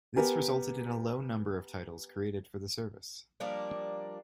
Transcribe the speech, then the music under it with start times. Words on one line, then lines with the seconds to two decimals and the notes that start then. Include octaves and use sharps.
This resulted in a low number of titles created for the service.
0.16 B3 G4 A#4 G#5
3.40 F3 G3 A#3 D4